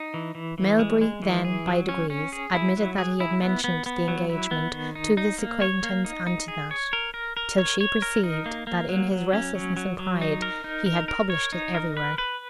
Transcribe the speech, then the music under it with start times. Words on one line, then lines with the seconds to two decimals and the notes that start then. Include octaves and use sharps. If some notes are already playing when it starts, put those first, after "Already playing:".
Melbury then by degrees admitted that he had mentioned the engagement to this acquaintance and to that, till she perceived that in his restlessness and pride he had published it everywhere.
Already playing: D#4
0.14 E3
0.35 E3
0.58 E3
0.79 G#3
1.01 G#3
1.22 E3
1.45 G#4
1.67 F#3
1.89 C#4
2.10 C#4
2.33 G#4
2.54 E4
2.77 F#3
2.98 G#4
3.20 E4
3.41 B3
3.64 B3
3.86 B3
4.08 F#3
4.30 E4
4.51 B3
4.73 D#3
4.95 D#4
5.17 D#4
5.38 A#3
5.62 C#5
5.83 A#3
6.05 D#4
6.27 D#4
6.48 G#4
6.71 C#5
6.93 A#4
7.14 A#4
7.37 A#4
7.58 C#5
7.81 C#5
8.02 A#4
8.23 D#4
8.46 A#3
8.67 A#3
8.89 F#3
9.11 F#3
9.33 C#4
9.55 F#3
9.77 F#3
9.99 F#3
10.21 D#4
10.42 A#4
10.64 D#4
10.86 A#4
11.08 A#4
11.30 C#5
11.53 D#4
11.74 A#4
11.97 B4
12.18 B4